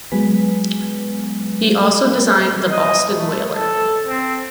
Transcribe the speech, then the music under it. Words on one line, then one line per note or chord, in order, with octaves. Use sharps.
He also designed the Boston Whaler.
F#3 G#3 B3 B4 G#5 B6
D#5
A3
A4
C4